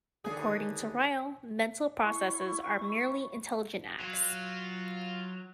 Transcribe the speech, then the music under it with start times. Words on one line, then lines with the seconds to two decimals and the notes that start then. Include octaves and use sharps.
According to Ryle, mental processes are merely intelligent acts.
0.24 D#2 D3 G#4
2.02 E4 C#6
4.00 F#3 F4